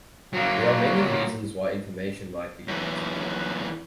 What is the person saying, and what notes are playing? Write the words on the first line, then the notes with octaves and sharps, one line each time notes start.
There are many reasons why information might be leaked.
F#3 A#3
F#2 E3